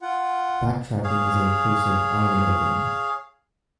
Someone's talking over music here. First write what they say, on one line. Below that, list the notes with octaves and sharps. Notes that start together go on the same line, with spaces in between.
Backtracking is a recursive algorithm.
F4 F#5
G#4 C#5 F5